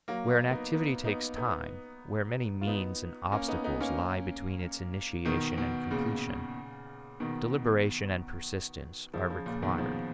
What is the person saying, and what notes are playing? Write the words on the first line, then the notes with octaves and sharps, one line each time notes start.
Where an activity takes time, where many means and obstacles lie between its initiation and completion, deliberation and persistence are required.
F#3 A#3
B3 D#4
B3 D#4
B3 D#4
B3 D#4
F4
B3 D#4
A#3 C#4
B3 D#4
B3 D#4
A#3 C#4
B2 D#3
B2
A#2 C#3
B2 D#3
C#3 F3
C#3 F3
A#2 C#3
B2 D#3
C#3 F3